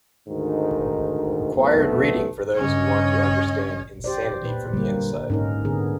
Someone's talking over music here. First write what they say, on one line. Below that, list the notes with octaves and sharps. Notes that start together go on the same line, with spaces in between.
Required reading for those who want to understand insanity from the inside.
D2 G#2 D#3
B1 F2 A3 B3
G2 C#3 C#4 C#5 D#5
G4 C5 D5
A#2 B4
D3 G3 A#3
G#2 C#4 D#4 A#4
D3 B3 G#4